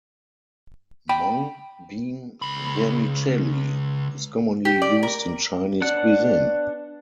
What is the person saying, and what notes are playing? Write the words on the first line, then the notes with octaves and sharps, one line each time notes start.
Mung bean vermicelli is commonly used in Chinese cuisine.
G5 B5
C#2 B5
G4
D5
A#4
B3 D4 C#5 D5 F#5